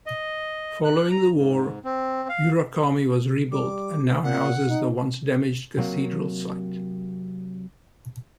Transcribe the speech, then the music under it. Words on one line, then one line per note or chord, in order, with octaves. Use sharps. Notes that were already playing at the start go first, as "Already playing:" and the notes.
Following the war, Urakami was rebuilt and now houses the once-damaged Cathedral site.
D#5
F#6
A#5
G#2
C4
F5
G3 D6
A#2 F#5
D#4
C3 F#3 A#3